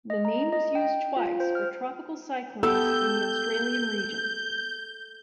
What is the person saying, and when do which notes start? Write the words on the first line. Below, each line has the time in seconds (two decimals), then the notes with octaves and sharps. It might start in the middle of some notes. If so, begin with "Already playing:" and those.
The name was used twice for tropical cyclones in the Australian region.
0.10 D#5
0.25 A#5
0.53 D#5
0.75 G5
1.16 F4
1.40 C5
1.55 F6
2.63 B3 G4 A4 E6 G6